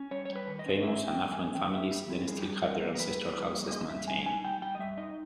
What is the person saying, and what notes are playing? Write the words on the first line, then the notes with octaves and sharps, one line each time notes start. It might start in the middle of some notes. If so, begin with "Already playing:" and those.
Famous and affluent families then still have their ancestral houses maintained.
Already playing: C#4
G3 C#5
G3 C#5
B4
D#3
D#5
C#4
C#4 E5
C#4
G5
G3
G#5
C#4
D#3 G5
G3 E5
G3 G4
E4 G4
G3 G#4
G3
G3 A#4
A#3
A#4
G3 B4
G3
A#3
G3
A#3 D#5
G3 E5
G3 G#5
D#4 G#5
G3 G5
G3 G5
D#5
G3 E5
D#4 D#5